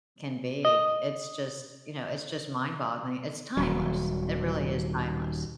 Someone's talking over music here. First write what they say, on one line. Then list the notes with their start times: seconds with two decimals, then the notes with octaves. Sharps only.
can be. It's just you know, it's just mind-boggling. It's timeless, it really is timeless.
0.65 D#5
3.57 D#1 F#3